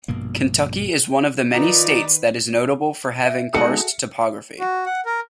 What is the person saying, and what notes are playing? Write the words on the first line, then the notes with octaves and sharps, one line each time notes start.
Kentucky is one of the many states that is notable for having karst topography.
A#1 G2 B2 A#3
D#3 D#4 F4 B4 D5 A#5
E5
G#3 B3 D#4 F#4 G#4 A4 C#7
F#4
F#5
A#4